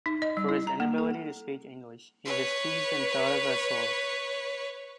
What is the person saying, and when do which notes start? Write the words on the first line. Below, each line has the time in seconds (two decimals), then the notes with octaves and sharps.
For his inability to speak English, he was teased and thought of as "slow".
0.06 D#4
0.22 D#5
0.37 G3
0.49 E4
0.67 A#5
0.80 A#3
0.98 A4
2.25 B4 C#5